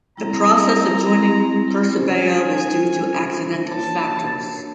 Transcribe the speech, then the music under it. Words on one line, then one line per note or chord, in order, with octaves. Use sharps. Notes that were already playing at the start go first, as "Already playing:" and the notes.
The process of joining Persebaya was due to accidental factors.
G3 C4 E4 A#5
G3 C4 E4
C#4 F4 A4 C5 G#5
C#4 F4 A4 C5
A#3 D4 F#4 A#4 C#5 A5
A#3 D4 F#4 A#4 C#5